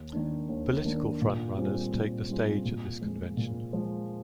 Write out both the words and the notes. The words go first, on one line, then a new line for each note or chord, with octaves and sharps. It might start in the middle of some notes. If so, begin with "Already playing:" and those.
Political front runners take the stage at this convention.
Already playing: D#2
D#3 A#3 D4
D#2
D#3 A#3 D4
A#2
G3 C4 F4 G#4
A#2
G3 C4 F4 G#4
A#2
F3 G#3
A#2
F3 G#3